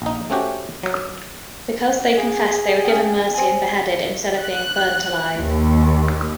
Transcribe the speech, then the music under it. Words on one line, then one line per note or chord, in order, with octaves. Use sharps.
Because they confessed, they were given mercy and beheaded instead of being burnt alive.
A#1 D#4
A3 C4 C#4 F#4 G4
F#3
F#4
G#4
C#3 G5
C4 G#4
F#6
D#2